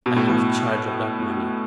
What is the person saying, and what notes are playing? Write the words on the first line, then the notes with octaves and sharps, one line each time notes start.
I have charge of that money.
B2
A2
B2